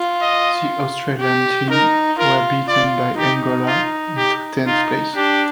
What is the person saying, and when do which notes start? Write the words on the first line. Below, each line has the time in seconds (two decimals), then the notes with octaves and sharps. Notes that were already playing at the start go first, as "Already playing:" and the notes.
The Australian team were beaten by Angola into tenth place.
Already playing: F4
0.22 D#5
1.21 G4
1.70 D#4 A#4
2.19 F4 A#4
2.68 F4 D5
3.18 D#4 G4
3.67 F4
4.17 G4
4.67 D#4 F4
5.16 D4 G4